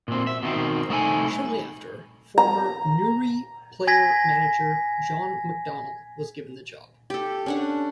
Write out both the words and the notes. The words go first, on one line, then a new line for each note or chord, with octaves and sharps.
Shortly after, former Newry player-manager John McDonnell was given the job.
A#2 C4
E5
B2 D#3 C4
C2 A3 D#4 E4 G#5
A#5
G#5 G#6 A#6 B6
G4 A4
C#4 D4 F#5